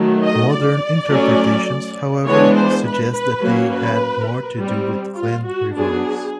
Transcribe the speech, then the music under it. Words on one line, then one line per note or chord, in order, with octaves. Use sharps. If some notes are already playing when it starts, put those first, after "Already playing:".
Modern interpretations, however, suggest that they had more to do with clan rivalries.
Already playing: D#3 F#3 A3
D#5
D5
F#3 A3 C#4
E3 G#3 B3 D4 C#5
C5
B4
B4
F#3 A#3 C#4
B4
G3 C4
F4
F#4
F#3 B3 D4 G#4